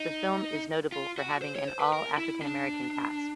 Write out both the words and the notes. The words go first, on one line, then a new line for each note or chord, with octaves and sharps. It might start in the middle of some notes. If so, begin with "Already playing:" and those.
The film is notable for having an all-African-American cast.
Already playing: D#4
F4
F#4
C5
C#5
C5
B4
A#4
E4
D4